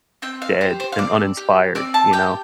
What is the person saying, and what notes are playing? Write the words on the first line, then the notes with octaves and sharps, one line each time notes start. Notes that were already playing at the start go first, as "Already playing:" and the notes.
dead and uninspired, you know?
C4 G5
F5
G4 C5
C5
F5
C4 D5
G4
C4 D5
A5
G4 G5